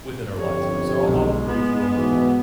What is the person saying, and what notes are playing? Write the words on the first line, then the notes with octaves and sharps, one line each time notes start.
within our lifetime. So, I'll I'll agree with you on the water.
G1 F2 G4 C#5
B1 G#3
B3
G#2 B2 E3